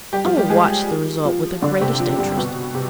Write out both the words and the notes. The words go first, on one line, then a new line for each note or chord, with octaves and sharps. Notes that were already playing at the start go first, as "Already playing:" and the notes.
I will watch the result with the greatest interest.
G3 G4
F3 F4
G3 G4
G#3 G#4
F3 F4
D3 D4
C3 C4
F3
G2 G3
B2 B3
C3